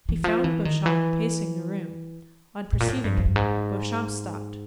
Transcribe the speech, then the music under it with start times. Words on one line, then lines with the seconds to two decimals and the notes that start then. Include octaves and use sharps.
He found Beauchamp pacing the room; on perceiving him Beauchamp stopped.
0.09 E3
0.24 F3
0.44 E3
0.65 D#3
0.86 E3
2.73 A2
2.80 A#2
2.88 A2
3.04 G2
3.17 F#2
3.26 G2
3.36 G#2